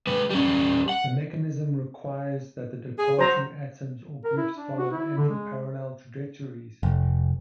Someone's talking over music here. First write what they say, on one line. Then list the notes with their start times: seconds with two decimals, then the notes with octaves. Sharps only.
The mechanism requires that the departing atoms or groups follow antiparallel trajectories.
0.07 G#3 B4
0.30 G3 C#4
0.89 F#5
2.98 G#4
3.19 F#3 C5 A#5
4.25 A#4
4.37 E4
4.56 D4
4.79 F#4
4.92 E4
5.17 D3
5.29 G#3
6.83 F1